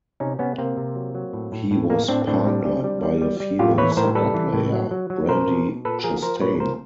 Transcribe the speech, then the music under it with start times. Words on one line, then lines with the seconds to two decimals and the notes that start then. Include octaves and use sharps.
He was partnered by a female soccer player, Brandi Chastain.
0.20 C3 C#4 D#4
0.39 C3 B3 C#4
0.58 C3 A#3 C4
0.77 C3
0.95 F#3
1.15 F#3
1.33 A2
1.52 A2
1.71 A2
1.90 A2 A#3
2.08 A2 C4 D4
2.27 A2 C4 D4
2.47 G3
2.65 G3
2.84 G3
3.03 G3
3.22 G3
3.40 G3
3.59 A2 F4 G4
3.78 E3 B4 C#5
3.97 A2 A#4 C5
4.15 G3 A4 B4
4.34 E3
4.53 A2
4.72 F#3
4.91 F#3
5.10 F#3
5.29 B2 A#4 C5
5.48 B2
5.66 B2
5.85 A#2 A4 B4
6.04 F3 G#4 A#4
6.22 F3 A#4 C5
6.41 A#2 B4 C#5
6.60 F3 A#4 C5